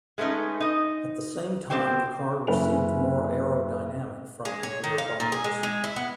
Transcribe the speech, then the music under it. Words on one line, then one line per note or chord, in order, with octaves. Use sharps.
At the same time the car received more aerodynamic front and rear bumpers.
G#3 A3 B3 C#4 D#4
D#4 D#5
B3 C4 G4 C5 G5
F#1 E3 B4 G#5 F7
G#3
C#5
D#3
F5
A#2
G#4
G#3
G#3
E4
B3